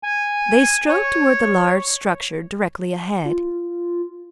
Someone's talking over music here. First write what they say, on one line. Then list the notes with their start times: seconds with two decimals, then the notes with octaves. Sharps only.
They strode toward the large structure directly ahead.
0.03 G#5
0.89 C#5
3.25 F4